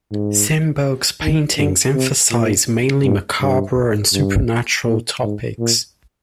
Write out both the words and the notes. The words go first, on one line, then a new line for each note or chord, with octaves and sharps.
Simberg's paintings emphasize mainly macabre and supernatural topics.
G#2
D#3
D3
C3
A#2
G2
G2
G2
A#2
G#2
A#2